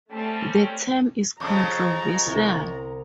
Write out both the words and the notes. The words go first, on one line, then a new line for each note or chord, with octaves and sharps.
The term is controversial.
G3 A3 C4 C#4 A5
F2 C#3 A#5
C2